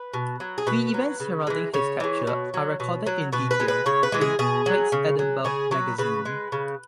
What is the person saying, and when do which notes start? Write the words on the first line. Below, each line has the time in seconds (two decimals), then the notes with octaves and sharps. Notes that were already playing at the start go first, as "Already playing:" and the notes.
The events surrounding his capture are recorded in detail in "Tait's Edinburgh Magazine".
Already playing: B4
0.13 B2
0.40 F#3
0.58 G#4
0.67 B2 B4
0.94 F#3
1.20 C#3
1.47 E3 G#3
1.74 C#3 C#5
2.00 E3 G#3
2.27 B2
2.54 F#3
2.80 B2
3.06 F#3
3.33 B2 B4
3.51 B4
3.60 G#3
3.68 B4
3.86 C#3 C#5
4.03 B4
4.12 E3 G#3
4.21 G#4
4.39 B2 G#4
4.66 F#3
4.92 C#3
5.19 F#3
5.45 C#3 G#4
5.71 F#3 B4
5.98 C#3 B4
6.25 G#3
6.52 C#3